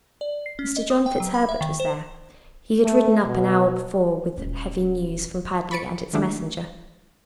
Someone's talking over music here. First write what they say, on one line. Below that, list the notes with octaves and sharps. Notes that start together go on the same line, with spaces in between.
Mr. John FitzHerbert was there; he had ridden up an hour before with heavy news from Padley and its messenger.
D5
C7
C#4
D#5
D#6
G5
F#3
B5
E5
D#3
C5
A3
B2
D#1 C#4
B5 C#6 A6 C#7 D7
D#3 F#3 G#3 A3 D4 E4